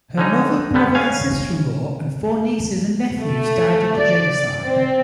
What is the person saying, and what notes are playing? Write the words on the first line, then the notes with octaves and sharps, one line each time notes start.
Her mother, brother and sister-in-law, and four nieces and nephews died in the genocide.
D3 C#4 D#4
D3 G3 B3
C#4 F5 G#5
A3
D5
C4